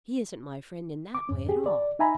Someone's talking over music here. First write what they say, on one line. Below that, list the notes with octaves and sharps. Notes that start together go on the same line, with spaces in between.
"He isn't my friend in that way at all."
D6
F2 G#2 C#4
G4 G#4
D5
D#4 E5 G#5 A#5 B5